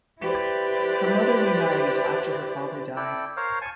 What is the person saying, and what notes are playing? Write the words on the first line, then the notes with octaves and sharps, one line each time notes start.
Her mother remarried after her father died.
E4 G4 B4 C5 D5
E4 A4 D5 G5
A#4 C5 C#5 F5
G#5 A5 C#6